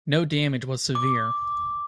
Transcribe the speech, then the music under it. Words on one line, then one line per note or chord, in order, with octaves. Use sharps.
No damage was severe.
D6